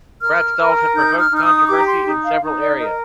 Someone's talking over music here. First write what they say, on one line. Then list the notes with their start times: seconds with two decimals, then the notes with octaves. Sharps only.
Bratz dolls have provoked controversy in several areas.
0.21 A#4 F6
0.58 A#4
0.94 D#4 G6
1.19 F6
1.31 D#4
1.36 F6
1.43 D#6
1.68 G4 D6
1.78 A#5
1.86 C6
2.04 D#4
2.23 F5
2.41 D#4
2.60 D5
2.78 A#4 D#5